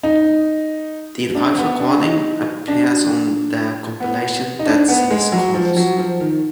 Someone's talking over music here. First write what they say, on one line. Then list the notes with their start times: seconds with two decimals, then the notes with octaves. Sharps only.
The live recording appears on their compilation Dead Sea Scrolls.
0.03 D#4
1.35 D4
1.58 B3
1.80 D4
2.02 D#4
2.68 D4
4.00 B3
4.59 D#4
4.66 D4
4.88 B3
5.10 G#3
5.32 F#3
5.54 F3
5.77 F#3
5.98 F3
6.20 D#3